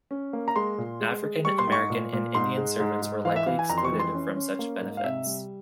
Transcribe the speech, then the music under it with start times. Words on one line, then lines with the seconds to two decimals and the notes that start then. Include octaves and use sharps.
African-American and Indian servants were likely excluded from such benefits.
0.11 C#4
0.33 A#3
0.48 A#5
0.56 G#3 C6
0.78 A#2
1.01 G#3
1.22 G#3
1.45 G3 C#6
1.58 C6
1.68 G#2 C#6
1.90 A#2
2.13 A#2
2.35 G#2 C6
2.57 G#3
2.80 G#2
3.02 G#2
3.25 E3 F5
3.36 E5
3.47 E3 F5
3.59 G#5
3.69 F2 A#5
3.78 C6
3.84 C#6
3.92 E3
3.99 C6
4.15 C#4
4.36 C#4
4.59 A#3
4.81 G#2
4.97 F5
5.04 C3 E5
5.26 G3